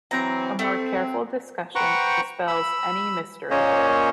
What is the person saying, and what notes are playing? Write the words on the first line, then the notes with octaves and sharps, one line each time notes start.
A more careful discussion dispels any mystery here.
E3 F#3 C4 A#5
A3 C4
B4 C5 F#5 G5 A#5 C#6
B5 E6
A#2 A#3 C#4 C5 C#5 D#5